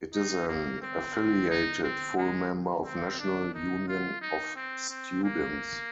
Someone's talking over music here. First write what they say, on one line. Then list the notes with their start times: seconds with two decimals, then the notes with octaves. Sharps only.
It is an affiliated full member of National Union of Students.
0.14 D#4
0.48 A#3
0.81 C4
1.50 D#4
1.83 C4
2.17 G#3
2.85 C4
3.19 D4
3.54 D#4
3.88 F4
4.21 D#4
4.56 C4
4.89 C4
5.23 A#3